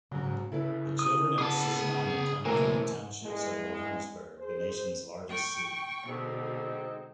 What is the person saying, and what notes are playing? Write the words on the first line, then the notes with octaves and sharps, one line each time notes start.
The children at Sizanani come from the townships of Johannesburg, the nation's largest city.
G#2 C#3 F#3
C#3 E4 A4 B4
D#6
B3 G#4 A5 D6
B2 E3 F#3 A3 A#3 A#4 C5 G#5
E2 G2 G#3
G#4 C5
G5 C#6
B2 D3 G#3 C4 D#4